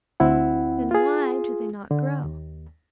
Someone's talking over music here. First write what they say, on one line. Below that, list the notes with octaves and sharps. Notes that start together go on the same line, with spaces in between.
Then why do they not grow?
D2 C4 E4 F#5
F4 G#4
D3
D#2